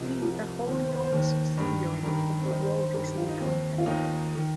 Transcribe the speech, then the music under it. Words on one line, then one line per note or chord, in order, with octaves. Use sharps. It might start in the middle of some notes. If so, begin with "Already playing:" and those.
It is a wholly owned subsidiary of The Walt Disney Company.
Already playing: C2 C3 F3 D#5
C2 C3 F3
D#2 D#3 C5
C5
C5
C5
D#2 D#3
G2 D#3
G2 D#3 A#4
C4
G2 D#3 D#4
C5
C5
C5
G2 D#3 A#4
G4
F4
D#4
D#2 D#3 C4
F4
D#2 D#3 D#4
D#3